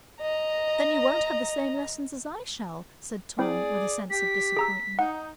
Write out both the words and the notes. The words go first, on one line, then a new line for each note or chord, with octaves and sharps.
"Then you won't have the same lessons as I shall?" said Tom, with a sense of disappointment.
D#5 A#5
C4 E4 G#4 C5 D5
G4 B6
G#4 A#5 E6
D#4 F#5